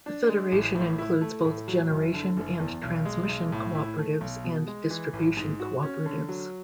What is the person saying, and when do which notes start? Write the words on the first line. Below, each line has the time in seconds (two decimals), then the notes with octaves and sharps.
The federation includes both generation and transmission cooperatives and distribution cooperatives.
0.06 D4
0.29 G#3
0.52 A1
0.75 A2
0.98 E4
1.21 A3
1.44 A2
1.68 F#3
1.90 F#1
2.14 D3
2.37 F#1
2.59 E2
2.83 B1
3.06 G#3
3.29 B1
3.52 A2
3.75 E4
3.98 A3
4.21 B1
4.44 B2
4.68 G#3
4.90 E3
5.13 A1
5.37 G#2
5.60 F#4
5.83 C#4
6.06 D3
6.29 F#3